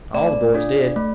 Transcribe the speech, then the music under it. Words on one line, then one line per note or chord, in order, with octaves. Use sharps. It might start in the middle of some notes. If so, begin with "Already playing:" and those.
All the boys did.
A3 D5
D4 F4
A3